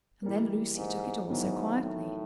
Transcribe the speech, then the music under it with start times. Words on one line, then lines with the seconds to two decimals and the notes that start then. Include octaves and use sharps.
And then Lucy took it all so quietly.
0.23 E3 G3 A#3
0.77 G#2
1.30 G#2 D#3 F#3 B3 E4
1.83 A2